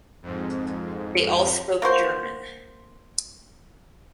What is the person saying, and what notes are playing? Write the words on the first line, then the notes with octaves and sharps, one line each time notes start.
They all spoke German.
F2 G#2
A#3 F#4 C5